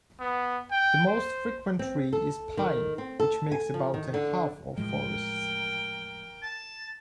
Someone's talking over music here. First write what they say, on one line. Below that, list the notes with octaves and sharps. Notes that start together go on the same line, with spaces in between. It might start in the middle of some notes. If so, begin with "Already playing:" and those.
The most frequent tree is pine which makes about a half of forests.
B3
G5
C5
C4
A4
D#3
C4
A4
G#5
F3
D#3
D3
A2 F3 G#3 A#4 G5
A5